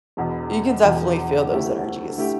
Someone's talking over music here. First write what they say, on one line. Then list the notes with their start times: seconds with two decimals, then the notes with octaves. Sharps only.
you can definitely feel those energies.
0.17 E1 E2 B2
0.83 E1 E2 B2
1.50 D2 D3 A3 E4 G4
2.17 D3 A3 E4 G4